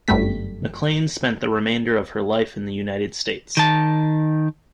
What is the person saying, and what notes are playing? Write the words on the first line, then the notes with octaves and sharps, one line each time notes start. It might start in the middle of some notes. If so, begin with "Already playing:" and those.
MacLane spent the remainder of her life in the United States.
G1 F#2 G3 A3 B6
D#3 A5